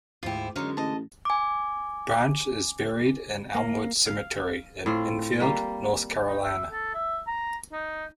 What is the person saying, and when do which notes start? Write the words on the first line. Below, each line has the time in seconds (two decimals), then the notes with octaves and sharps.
Branch is buried in Elmwood Cemetery in Enfield, North Carolina.
0.23 D2 G#2 E4 F4 G4
0.56 F#2 D3 G#3 D#4 C#5 F5
0.77 A1 D#5 A5
1.25 G#5 D6
3.55 A#3
4.06 F5
4.86 A2 C4 F4
5.40 G3 A#3
6.27 D#4
6.42 E5
6.72 A4
6.95 E5
7.27 A#5
7.73 D#4